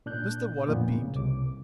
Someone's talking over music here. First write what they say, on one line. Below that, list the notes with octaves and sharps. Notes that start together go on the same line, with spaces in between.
Mr Waller beamed.
A#2 D4 F#6 G6
F2 A#2 B3
C#3
C2 D6